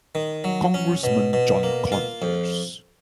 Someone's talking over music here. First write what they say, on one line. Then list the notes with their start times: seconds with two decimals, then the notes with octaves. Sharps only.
Congressman John Conyers.
0.15 D#3
0.44 F#3
0.74 C#4
1.03 B2
1.33 B2
1.63 A#3
1.92 F4
2.22 F2